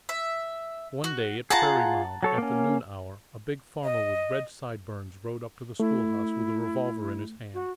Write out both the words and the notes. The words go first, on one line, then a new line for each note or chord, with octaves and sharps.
One day, at Prairie Mound, at the noon hour a big farmer with red sideburns rode up to the schoolhouse with a revolver in his hand.
E5
F#4
F4 G#4 F#5 A5 A#5
F#3 A4 C#5
A#3 C#4
D#5
A3 E4
F#4